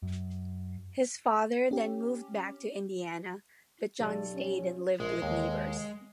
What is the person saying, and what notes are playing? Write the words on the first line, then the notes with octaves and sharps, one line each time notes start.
His father then moved back to Indiana but John stayed and lived with neighbors.
F#2
C#4 G4
B1 G4 A4 D5
C#4
A#1 G#3
D#2